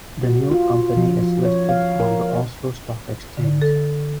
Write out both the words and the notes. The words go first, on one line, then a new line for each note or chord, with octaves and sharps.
The new company is listed on the Oslo Stock Exchange.
F#4
F4
F3
F3
C#5
F5
A#4
D3
A4